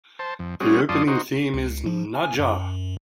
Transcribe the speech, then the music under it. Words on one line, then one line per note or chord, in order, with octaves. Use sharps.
The opening theme is Nadja!!
C5 A5
F2
G3 C4 C#4 F#4 G#4
F#2 F4 D5 A5 C6 D#6
D#4 F#4 C5
C#2
F3
G#5
F#2